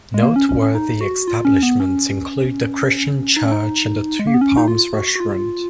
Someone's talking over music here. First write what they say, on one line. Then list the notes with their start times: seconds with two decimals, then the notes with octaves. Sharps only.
Noteworthy establishments include the Christian Church and the Two Palms Restaurant.
0.14 G#3
0.23 A#3
0.36 C#4
0.49 C#4
0.62 C#4
0.75 D#4
1.01 F#4
1.28 F4
1.45 C#4
1.63 B3
1.80 C#4
3.37 D#4
3.44 C#4
3.52 D#4
4.19 G#3
4.27 A#3
4.34 B3
4.41 C#4
4.57 D#4
4.68 F4
4.94 F#4
5.15 F#4
5.20 F4